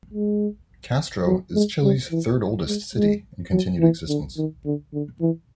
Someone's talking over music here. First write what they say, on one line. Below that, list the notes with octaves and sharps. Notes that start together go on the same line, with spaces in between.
Castro is Chile's third oldest city in continued existence.
G#3
F#3
G#3
G3
E3
G#3
G#3
F#3
E3
D3
D#3
D3
D3
E3